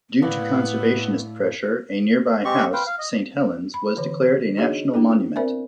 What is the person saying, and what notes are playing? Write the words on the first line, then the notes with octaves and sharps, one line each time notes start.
Due to conservationist pressure, a nearby house, Saint Helen's, was declared a national monument.
A2 A3 B3 E4 D5 F5
G#3 C4 G4 C#6
B4 C5 F5 G5
F5
D#5
B5
D3 E3
D4 D#4 F#4 G#4 C#5 D#5
B3 D4 E4 A4
C4 A#4 C5 D5 E5 G#5